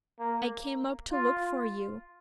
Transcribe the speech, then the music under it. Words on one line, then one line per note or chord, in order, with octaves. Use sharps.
I came up to look for you.
A#3
F4